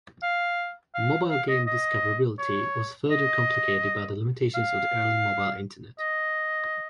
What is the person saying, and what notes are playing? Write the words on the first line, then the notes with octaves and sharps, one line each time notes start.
Mobile game discoverability was further complicated by the limitations of the early mobile internet.
F5
F5
F5
D#5
D#5
C#5
D#5
F5
D#5